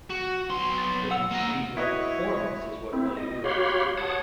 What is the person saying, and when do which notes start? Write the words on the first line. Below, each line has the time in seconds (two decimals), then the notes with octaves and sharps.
when you see their performance is what really irritates people.
0.10 F#4
0.50 B1 C6
0.78 A6
1.11 F#5 E6 F7
1.31 A#3 D#5
1.77 E4 F#4 B4 C#5 D#5
2.93 C4 E4
3.17 D#5
3.44 F#4 G4 C#5 F5 B5 C6
3.97 C#5 F#5 A5 D#6